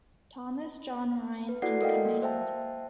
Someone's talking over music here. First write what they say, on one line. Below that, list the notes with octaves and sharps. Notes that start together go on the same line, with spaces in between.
Thomas John Ryan in command.
B4
E4 F#4 A4 D5 F#5 C7
A4 A#4 D#5 F5 G5
A#3
C5 E5 G5 A5